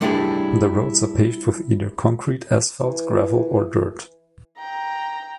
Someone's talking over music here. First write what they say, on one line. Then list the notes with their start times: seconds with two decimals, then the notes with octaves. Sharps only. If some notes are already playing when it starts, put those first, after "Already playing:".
The roads are paved with either concrete, asphalt, gravel or dirt.
0.01 G3 A3 D4 E4 G4 G#4
2.84 E3
4.58 G5 A#5